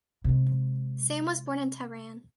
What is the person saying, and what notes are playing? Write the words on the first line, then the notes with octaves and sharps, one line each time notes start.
Sam was born in Tehran.
C3 G#3